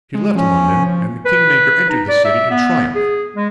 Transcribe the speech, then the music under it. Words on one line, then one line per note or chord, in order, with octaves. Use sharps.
She left London and the kingmaker entered the city in triumph.
G#3
F3 C#4
B4
D#4
D5
E5
B3
G#4
G#3